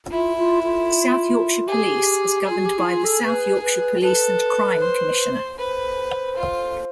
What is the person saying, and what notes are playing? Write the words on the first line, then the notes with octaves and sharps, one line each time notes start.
South Yorkshire Police is governed by the South Yorkshire Police and Crime Commissioner.
E4 F4
F4
F4
G4 G#4
F4 G#4
F#4
G4
E4
F4
A4
B4
B4
A4 B4
C5
B4 C5
F4